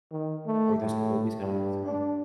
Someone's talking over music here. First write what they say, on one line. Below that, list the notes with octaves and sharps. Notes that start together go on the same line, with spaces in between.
or there's always gonna be some
D#3
A3
A2
G2
D4